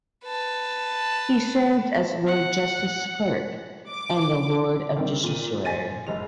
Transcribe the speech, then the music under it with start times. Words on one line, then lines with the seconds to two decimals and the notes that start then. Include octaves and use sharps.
He served as Lord Justice Clerk and a Lord of Justiciary.
0.25 B4 A5
2.27 F#5
3.89 D6
4.96 D#3 G3 C4
5.23 A#2 D#7
5.65 C5 G#5 A6 D#7
6.07 F#1 G#3 F7